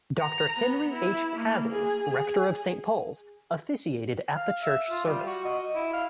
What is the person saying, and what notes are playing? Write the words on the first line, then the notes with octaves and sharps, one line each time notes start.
Doctor Henry H. Hadley, rector of Saint Paul's, officiated at the church service.
A#5
B3
E4
A#3
G#4
G#4
F5
E5
F4
G3
F#4
D#5
E4
F5